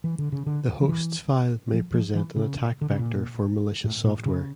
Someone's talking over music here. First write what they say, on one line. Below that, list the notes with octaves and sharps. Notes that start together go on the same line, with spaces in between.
The hosts file may present an attack vector for malicious software.
E3
D3
C#3
D3
F3
E3
F3
F3
E3
C#3
D3
C#3
A#2
A2
A#2
C#3